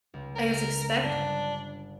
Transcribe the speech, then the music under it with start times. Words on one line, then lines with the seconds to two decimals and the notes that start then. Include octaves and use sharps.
I guess, expect
0.14 C#2
0.35 A#4
1.03 G1 G2 D4 F#6